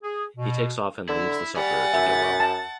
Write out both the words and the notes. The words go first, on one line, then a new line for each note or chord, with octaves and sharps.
He takes off and leaves the sufferer to get well.
G#4
B2
D3 E4
G3 F#5 G#5 B5 A6
F#2 E5
A5